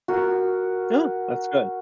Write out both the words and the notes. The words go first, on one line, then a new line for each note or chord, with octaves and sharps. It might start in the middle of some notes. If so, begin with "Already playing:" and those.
Oh, that's good,
F#4 A#4